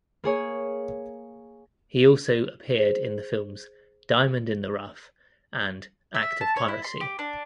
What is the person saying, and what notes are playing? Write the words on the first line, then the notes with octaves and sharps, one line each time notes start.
He also appeared in the films "Diamond in the Rough" and "Act of Piracy".
A#3 G#4 C#5
G#4 C5
E5
A5
C#5
E4
C6
G4
D4